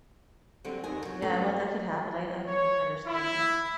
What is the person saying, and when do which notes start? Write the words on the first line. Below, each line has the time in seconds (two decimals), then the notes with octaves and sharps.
Yeah. Well, that could happen. I I can understand that.
0.65 D3 F#3 G3 A#3 C4
0.84 D#2 D#3 A#4 G#5
1.05 C3 F#3
1.22 A3 C#4 D4 A4 B4
2.46 C#5
3.07 E4